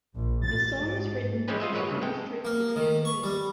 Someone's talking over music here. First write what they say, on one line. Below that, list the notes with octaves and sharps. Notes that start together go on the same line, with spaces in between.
The song was written during Beyond's trip to Tanzania.
A#1
A6
G#2
E3 G3 G#3 C4 C#4 B4
F4 D#5 E5
G#1 A#2 F#3 G#3 B4 C#5
C2 G2 C#3
G#3 A4 G5
A#3
D#3
C#6
G3